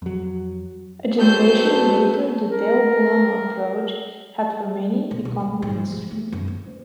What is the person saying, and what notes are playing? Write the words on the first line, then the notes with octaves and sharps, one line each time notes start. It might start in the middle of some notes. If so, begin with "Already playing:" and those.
A generation later the del Buono approach had for many become mainstream.
F2 F#3
F#2 F#3 B3 A4 C5 G5 G6
A#4
B2
C#2
G2
G#2
F3
A3
F#2
A#3